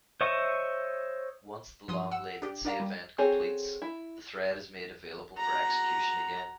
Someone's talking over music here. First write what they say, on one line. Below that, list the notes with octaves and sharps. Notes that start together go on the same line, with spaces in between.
Once the long-latency event completes, the thread is made available for execution again.
C5 C#5 D#5 E5 C#6
G2 F3 C6 D#6
F#5 E6
D4 G4
D4 A#4 D5 F5 A#5
G3
C4 F#4 G#4 A4 C#5
E4
F#4 A#5